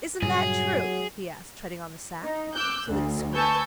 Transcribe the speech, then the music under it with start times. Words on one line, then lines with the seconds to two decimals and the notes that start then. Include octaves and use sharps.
Isn't that true?' he asked, treading on the sack so that it squeaked.
0.22 G2 A#2 C#3 F#3 G#4
2.23 D#4
2.54 D6 E6 F#6 G6
2.88 D2
3.34 B4 G#5 A5 C#6 E6 G6